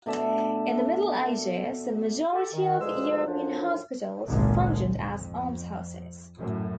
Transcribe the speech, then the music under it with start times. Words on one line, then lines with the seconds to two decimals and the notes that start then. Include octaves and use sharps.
In the Middle Ages, the majority of European hospitals functioned as almshouses.
0.06 B2 A3 D4 E5
2.33 G4 A4
2.54 D#3
2.79 D2 B2 F3 G#3 G#4 E6
3.26 F#2 A2 F3 D4
4.28 G#1 C#2 A#2 D3 G#3
4.94 F2
6.37 F#2 A2